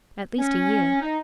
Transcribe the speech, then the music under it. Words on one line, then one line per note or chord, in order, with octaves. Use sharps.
"At least a year."
C#4
D#4